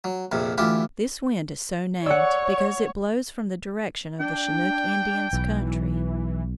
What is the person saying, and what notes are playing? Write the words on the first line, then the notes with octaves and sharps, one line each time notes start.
This wind is so named because it blows from the direction of the Chinook Indians' country.
F#3
A#1 F2 C3
D2 E3 F4 G4
C#5 D5 F#5 E6
D4 G5
B1 E3